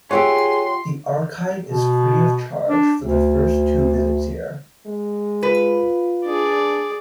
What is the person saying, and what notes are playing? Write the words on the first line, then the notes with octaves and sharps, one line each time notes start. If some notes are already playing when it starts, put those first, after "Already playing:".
The archive is free of charge for the first two visits here.
F4 G4 G#4 C#5 E5 F#5 C6 C#6
B2
D4
D2
G#3
F4 B4
D4 G#4 D5